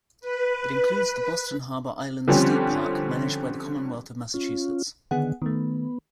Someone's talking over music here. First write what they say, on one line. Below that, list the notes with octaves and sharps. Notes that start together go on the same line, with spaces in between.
It includes the Boston Harbor Islands State Park, managed by the Commonwealth of Massachusetts.
B4
D3 F3 G3 C4 C#4 G4
C#4 F4
D3 D#3 B3 G#4 F#5
D#3 A3 B3